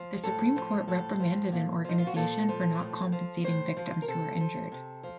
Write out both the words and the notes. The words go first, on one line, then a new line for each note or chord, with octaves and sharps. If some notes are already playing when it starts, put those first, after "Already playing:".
The Supreme Court reprimanded an organization for not compensating victims who were injured.
Already playing: F3
A2 A4
F3
A2 A4
F3
A#2
F3 D#4
F4
F#4
A#2 A4
F3
A2
F3
A2 C5
F3
A#4
C3 A4
F3
C3
F3